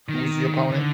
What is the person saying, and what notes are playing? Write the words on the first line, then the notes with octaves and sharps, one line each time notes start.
who was the opponent?
D#3
D3